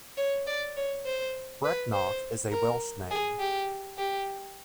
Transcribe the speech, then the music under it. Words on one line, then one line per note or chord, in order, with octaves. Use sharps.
Brecknock is a Welsh name.
C#5
D5
C#5
C5
B4
C5
A#4
G#4
G4
G4